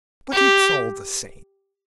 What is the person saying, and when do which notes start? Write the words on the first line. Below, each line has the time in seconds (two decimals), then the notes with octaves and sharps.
But it's all the same.
0.33 G4